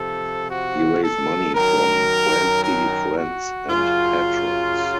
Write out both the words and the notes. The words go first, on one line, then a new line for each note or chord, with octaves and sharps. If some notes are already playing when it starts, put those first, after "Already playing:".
He raised money from wealthy friends and patrons.
Already playing: C3 F3 A4
F#4
A4
F#2 D#3 F#3 A#4
A#4
F#4
F#2 C#3 F#3 F4